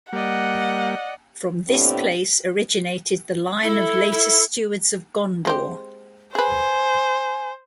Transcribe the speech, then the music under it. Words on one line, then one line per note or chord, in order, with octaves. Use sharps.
From this place originated the line of later Stewards of Gondor.
G3 A#3 D5 D#5 F#5
A2 C3 B3 C4 D4 G4
E4 A4
A4
G#3 C4 G4
G#4 B4 C5 G#5